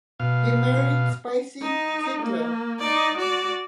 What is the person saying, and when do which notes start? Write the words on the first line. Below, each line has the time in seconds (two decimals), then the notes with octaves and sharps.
He married Spicy Kittrell.
0.20 B2 F5
1.61 D#4
2.22 A#3
2.79 D#4 D5
3.17 F#4 D5